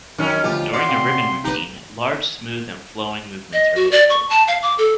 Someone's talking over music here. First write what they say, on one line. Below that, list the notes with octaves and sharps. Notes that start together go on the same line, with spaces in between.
During a ribbon routine, large, smooth and flowing movements are looked for.
F#2 D#3 C#4
D2 F3 F4 G4
F#4 D5 C6 F6 B6 C#7
C3 F5 G5
D#4 G4 B4
D#5
F#4
D5
C#6
A5
F5
D6
A4